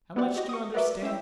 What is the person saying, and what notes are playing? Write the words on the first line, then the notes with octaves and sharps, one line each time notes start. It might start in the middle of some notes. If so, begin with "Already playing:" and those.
How much do you understand?
B3 E4 F#4 G4 D5 F#5
F#4 G4 D#5 A#6
C#6 D#6
F#4 A#4 B4 D5 E5 D6
C#4 E4 E5 G5